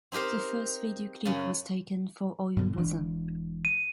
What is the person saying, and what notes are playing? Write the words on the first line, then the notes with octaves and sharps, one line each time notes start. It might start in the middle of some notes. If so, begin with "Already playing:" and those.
The first video clip was taken for "Oyunbozan".
C4 D#4 G4 A#4 C5
F#2 C#3
G2 B2 D3
E1 E3 D4
D#7